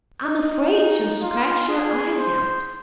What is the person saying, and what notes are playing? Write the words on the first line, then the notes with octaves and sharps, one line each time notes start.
"I'm afraid she'll scratch your eyes out."
D#4
D#4
F4
G#4
C5